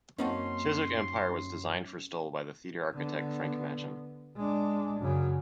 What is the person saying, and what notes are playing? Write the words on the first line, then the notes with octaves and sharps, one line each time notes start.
Chiswick Empire was designed for Stoll by the theatre architect Frank Matcham.
F#2 A#3 C4 C#4 D#4 F#4 A5 C6
D3 B3
G#3 D4
F#2 C#3